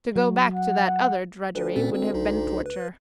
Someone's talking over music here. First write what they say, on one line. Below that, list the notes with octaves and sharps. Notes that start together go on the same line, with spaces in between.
To go back to that other drudgery would have been torture.
F#3
F#5
D2 B4
A#2 C4 C#4
C4
B1 D#4
B4